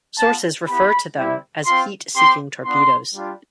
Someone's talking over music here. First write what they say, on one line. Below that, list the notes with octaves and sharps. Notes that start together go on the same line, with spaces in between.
Sources refer to them as heat-seeking torpedoes.
B3 F4 A5
B3 E4 G4 B5
G3 C4 E4
C4 F4 C6
C4 G4 C6
B3 D4 F4 C6
G3 D4 F4